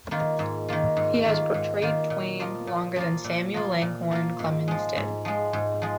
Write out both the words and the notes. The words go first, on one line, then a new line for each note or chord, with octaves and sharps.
He has portrayed Twain longer than Samuel Langhorne Clemens did.
D#3 A#3 F4
G#2
D#3 A#3 F4
G#2
D#3 A#3 F4
G#2
D#3 A#3 F4
A#2
F3 A#3 F4
A#2
F3 A#3 F4
A#2
F3 A#3 F4
A#2
F3 A#3 F4
G#2
F3 G#3
G#2
F3 G#3
G#2
F3 G#3